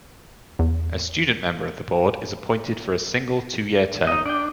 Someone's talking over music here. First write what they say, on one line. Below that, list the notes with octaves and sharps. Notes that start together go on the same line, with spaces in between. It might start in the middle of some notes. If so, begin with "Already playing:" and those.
A student member of the Board is appointed for a single two-year term.
E2
D#4 D#5
D4 D5 G5